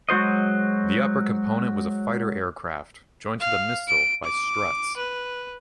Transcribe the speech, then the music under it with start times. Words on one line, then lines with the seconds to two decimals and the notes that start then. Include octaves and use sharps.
The upper component was a fighter aircraft, joined to the Mistel by struts.
0.09 F#3 G#3 F#4 C5 D#5
3.40 F5
3.88 D7
4.24 D6
4.97 B4